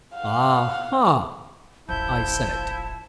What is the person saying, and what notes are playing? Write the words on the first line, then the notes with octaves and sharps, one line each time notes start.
"A-ha!" I said.
F5 F#5
D#1 A1 F3 E4 A5 G6